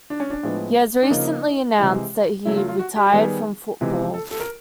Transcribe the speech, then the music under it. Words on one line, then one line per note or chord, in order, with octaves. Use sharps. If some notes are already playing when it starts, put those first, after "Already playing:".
He has recently announced that he retired from football.
D4
C#4
D4
A2 F3 G#3 B3
D4
C#3 F3 A#3 D#4
C3 E3 G#3
C#3 F#3 A3 E4
F4
F4
F#4
G4
G4
D#3 G3 B3 G#4
C3 E3 G#3 B3
A4
A4
A#4